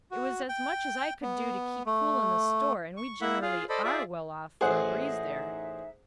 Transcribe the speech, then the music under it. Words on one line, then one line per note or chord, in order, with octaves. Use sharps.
"It was as much as I could do to keep cool in the store, and we generally ARE well off for a breeze there."
F#4
G5
B3
A3
C#6
A#3 E4 E5 F#5
F4 G#4 F5
A4 C5 D5 D#5 B5
F4 G#4 D5 E5
A1 D#4 G#4 C5 E5 F#5